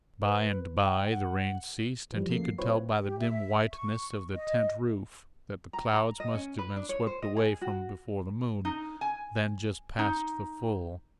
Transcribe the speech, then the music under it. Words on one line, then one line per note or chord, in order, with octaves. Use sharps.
By and by the rain ceased and he could tell by the dim whiteness of the tent roof that the clouds must have been swept away from before the moon, then just past the full.
B4
G5
F#5
E3 F3 G3
F2 C#3 A3 A#3 C7
F#3 C4 E4 F4 B4 C#5
G4
E5
C#6
D#5
A#5
A#5
D#5
C#4
B4
D4
C#5
C5
D#5
G#4
F#4
D#4
G#5
D#4